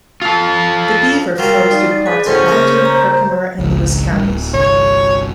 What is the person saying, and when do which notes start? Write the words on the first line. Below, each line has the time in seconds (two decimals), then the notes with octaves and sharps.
The Beaver flows through parts of Hamilton, Herkimer, and Lewis counties.
0.22 F4 A4
1.38 F#3 G3 F4 A#4 F5 G5
1.71 D#4 D5
2.06 G#4 B4 G#5
2.26 D2 A2 C#4 C5 C6
2.46 C#3 A#3
2.85 A#5
3.59 G#1 C#2
4.13 A1 G3
4.25 D1
4.54 G1 C2 C#5